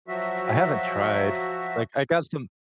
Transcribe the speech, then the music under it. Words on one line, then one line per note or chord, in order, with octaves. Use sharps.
I haven't tried. Like, I got some
F3 F#3 F#4 E5